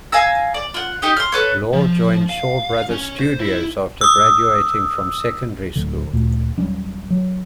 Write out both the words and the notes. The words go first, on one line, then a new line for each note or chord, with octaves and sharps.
Lau joined Shaw Brothers Studios after graduating from secondary school.
F5 G#5 A#5 E6
D5
F4 F#5
D#4 G4 D#5
C6 F6
A4 B4 C#5
F3
F5
C#4
C5
E4
D#6 E6
D1 D3
D2 A#2
D#1 F#3 G3 C#4
F#3